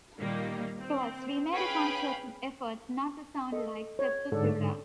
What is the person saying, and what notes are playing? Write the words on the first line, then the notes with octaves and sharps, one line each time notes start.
Plus, we made a conscious effort not to sound like Sepultura.
A#2 D#3 G3 A#3
C4
C#4 G#4 B4 F5 G5 B5
A4 D#5
C#5
G#2 D3 A4 D5